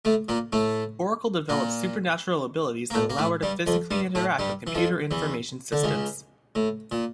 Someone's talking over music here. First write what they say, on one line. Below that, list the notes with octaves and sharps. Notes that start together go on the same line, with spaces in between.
Oracle develops supernatural abilities that allow her to psychically interact with computer information systems.
A2 A3
A#2 A#3
A2 A3
A#2 A#3
A#3
A2 A3
A#3
A2 A3
G2 G3
F2 F3
G2 G3
A2 A3
G2 G3
E3
F2 F3
E2 E3
D3
C#2 C#3
A2
A#2